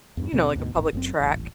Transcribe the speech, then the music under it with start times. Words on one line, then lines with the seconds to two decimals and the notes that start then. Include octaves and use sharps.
you know, like a public track
0.17 E2 G2
0.32 D2 B2 D3 C4
0.55 D2 G#2 B2
0.75 D#1 G#1
0.93 F#1 F#2 C4
1.20 D#1 A1